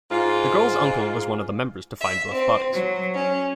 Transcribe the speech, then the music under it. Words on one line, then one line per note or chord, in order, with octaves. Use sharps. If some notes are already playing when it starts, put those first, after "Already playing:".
The girls' uncle was one of the members to find both bodies.
G#2 F4
E5
C4
F#3
C#4